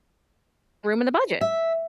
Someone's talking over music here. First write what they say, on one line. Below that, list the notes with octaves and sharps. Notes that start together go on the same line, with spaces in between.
room in the budget.
E5